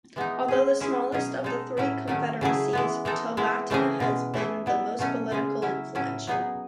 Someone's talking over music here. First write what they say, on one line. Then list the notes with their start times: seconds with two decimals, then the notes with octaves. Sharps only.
Although the smallest of the three confederacies, Tovata has been the most politically influential.
0.16 E3 G#3 B3 D#4
0.48 G#3 C#4 G#4
0.80 G#3 C#4 E4 G#4
1.12 B2 F#3 C#4 G#4
1.44 G#3 D#4 A4
1.77 A2 F#3 C#4 E4
2.08 D#3 F#3 A3 C#4
2.41 C#3 F#3 A3 E4 G#4
2.73 E3 G#3 B3
3.05 E3 G#3 D#4 A4
3.37 G#3 B3 E4
3.70 C#3 E3 A3 C#4 G#4
4.00 B2 G#3 C#4
4.34 E3 A3 E4 G#4
4.66 F#3 B3 E4
4.99 B2 F#3 A3 C#4
5.31 C#3 G#3 C#4 G#4
5.62 F#3 C#4 E4
5.95 A2 F#3 C#4 E4
6.27 F#3 B3 D#4 G#4